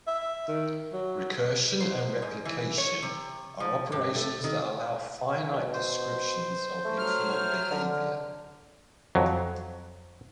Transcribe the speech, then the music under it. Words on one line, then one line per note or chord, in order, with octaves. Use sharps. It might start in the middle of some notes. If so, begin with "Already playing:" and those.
"Recursion" and "replication" are operations that allow finite descriptions of infinite behaviour.
E5
D#3
F#3
C5
G#2
E3
C#5
C3
F3
G2
A3
D#3
B2
C5
A3
F#3 F6
D3
F2 F#3